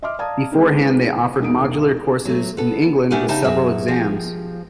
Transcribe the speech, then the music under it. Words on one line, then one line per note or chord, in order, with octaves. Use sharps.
Beforehand, they offered modular courses in England with several exams.
D#5 E5 C6 D6 F6
D5 F5 A5 A#5 D#6 G#6
G#3 C4 D#4
E1 D#4 D#6 D7
F#3 A3
B3 A4
A3 D4 G4 A#4 F#5 G#5
C#3 D#4 G4 E5 A5
F#2 F#3 G#4 E5
F3 G4 G#4